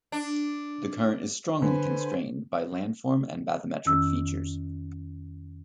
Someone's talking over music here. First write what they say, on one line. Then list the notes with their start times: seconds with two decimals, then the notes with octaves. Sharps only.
The current is strongly constrained by landform and bathymetric features.
0.12 D4
1.62 D3 B4 C5 G#5
3.85 F2 D#3 C#4 E6